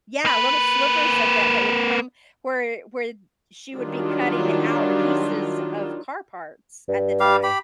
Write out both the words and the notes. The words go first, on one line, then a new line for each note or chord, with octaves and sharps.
Yeah, little slivers of that that would come where where she would be cutting out pieces of car parts at the time.
A#3 B4
D#3 F#3 G3 D4 F4
G2
G3 G4 F5
G4 B5